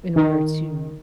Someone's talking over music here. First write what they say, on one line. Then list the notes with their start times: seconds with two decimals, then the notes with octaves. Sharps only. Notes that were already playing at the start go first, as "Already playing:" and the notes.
in order to
0.16 D#3